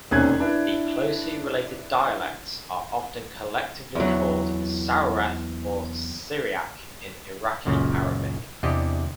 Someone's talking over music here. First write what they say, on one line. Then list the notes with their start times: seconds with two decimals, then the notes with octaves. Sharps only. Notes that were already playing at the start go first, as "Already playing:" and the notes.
The closely related dialects are often collectively called "Soureth", or "Syriac "in Iraqi Arabic.
0.11 E1 D#2 C3 C#4 F#6 G#6
0.40 D4 E4 B4
3.95 E2 F#3
7.65 C#2 F#2 A#2 C#3
8.63 E2 C3 D4 G4 D#5